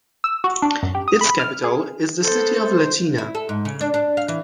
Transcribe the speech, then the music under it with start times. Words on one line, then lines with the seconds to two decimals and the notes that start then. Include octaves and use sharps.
Its capital is the city of Latina.
0.24 E6
0.44 F#4
0.62 D4
0.83 F#2
0.95 G4
1.08 D#6
1.21 B5
1.40 F6
1.64 G#4
2.22 B3 A4 C5
3.18 E4
3.35 A4
3.49 G#2
3.65 C#3
3.81 D4
3.94 D4
4.17 F5
4.28 E3